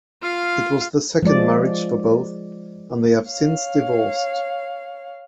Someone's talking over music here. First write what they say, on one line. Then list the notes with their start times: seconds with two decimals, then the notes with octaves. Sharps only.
It was the second marriage for both, and they have since divorced.
0.22 F4 F5
1.23 F3 G#3 D5
3.30 C#5 F5